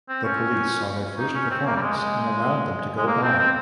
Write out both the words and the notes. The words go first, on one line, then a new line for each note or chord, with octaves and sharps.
The police saw their first performance and allowed them to go on.
C4
C#4
D#4
C#4
C4
A#3
G3
G#3
G#3
G#3
A#3
C4
C4